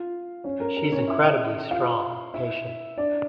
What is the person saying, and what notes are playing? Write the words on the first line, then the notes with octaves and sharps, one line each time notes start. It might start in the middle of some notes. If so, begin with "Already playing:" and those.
She's incredibly strong, patient.
Already playing: F4 F5
C#4 C#5
A#4
A#4
C#4 C#5
E4 E5
F4 F5
E4 E5
D4 D5